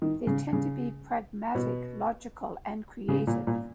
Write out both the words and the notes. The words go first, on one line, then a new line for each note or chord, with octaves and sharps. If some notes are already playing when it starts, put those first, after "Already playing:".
They tend to be pragmatic, logical, and creative.
D#3
C#3
C#3
B2
C#3
A#2
A#2